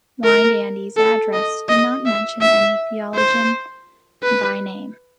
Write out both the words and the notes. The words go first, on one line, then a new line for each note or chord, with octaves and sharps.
Weinandy's address did not mention any theologian by name.
A#4
A4
D#5
D#5
E5
E5
C5
B4